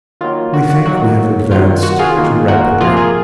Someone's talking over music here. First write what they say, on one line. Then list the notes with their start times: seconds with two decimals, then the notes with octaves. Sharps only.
We think we have advanced too rapidly.
0.21 D#3 F#3 A#3 F4
0.53 F#4
0.70 F#4
0.86 D#3 F#3 A#3 F#4
1.51 C3 D#3 F#3 F4
1.83 F#4
1.99 F4 G#4
2.16 D#3 A#3
2.48 F#4 A#4
2.80 C3 F3 A#3 F4 G#4
2.97 F4 G#4